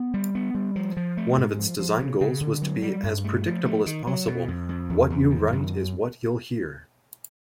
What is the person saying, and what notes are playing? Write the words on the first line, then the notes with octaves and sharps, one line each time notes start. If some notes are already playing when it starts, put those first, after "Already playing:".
One of its design goals was to be as predictable as possible: 'what-you-write-is-what-you'll-hear'.
Already playing: B3
G3
B3
G3
F3
F3
A3
G#2
F3
F3
C#3
C#3
D3
F#3
G3
G2
A3
F3
A3
D#3
F#3
B2
F2
F2
E2
E2
D#3
F#2